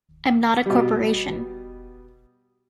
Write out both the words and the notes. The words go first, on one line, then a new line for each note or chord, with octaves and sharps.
I'm not a corporation.
B2 G3